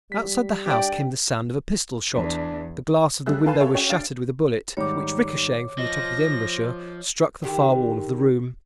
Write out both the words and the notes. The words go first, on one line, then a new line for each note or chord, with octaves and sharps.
Outside the house came the sound of a pistol-shot; the glass of the window was shattered with a bullet, which, ricochetting from the top of the embrasure, struck the far wall of the room.
G3 B6
D4 G4 D5 G5
E2 D4
G3 A3 G#4 E6 F#6
A4 B4 F5 G#5 A5 B5
G4 A4 C#5 E5
C#4 F#4 G#4 C#5 G5
D4 F5 A6 D7
G#2 D#3 G3 C#5 D6
F3 D#5 A#6
D3 D#3 G4